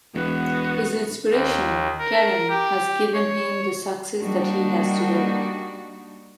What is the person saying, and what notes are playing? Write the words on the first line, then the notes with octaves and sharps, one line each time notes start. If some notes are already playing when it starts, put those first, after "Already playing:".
His inspiration, Karen, has given him the success that he has today.
E1 B3 F#4
D#2
A#4
G4
C#5
G3 A#3 D4 D#4 F#4